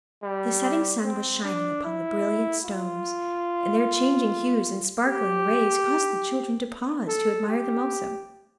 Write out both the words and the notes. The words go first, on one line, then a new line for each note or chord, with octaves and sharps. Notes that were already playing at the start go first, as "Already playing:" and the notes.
The setting sun was shining upon the brilliant stones, and their changing hues and sparkling rays caused the children to pause to admire them also.
G3
C4
D4
E4
F4
G4
A4
G4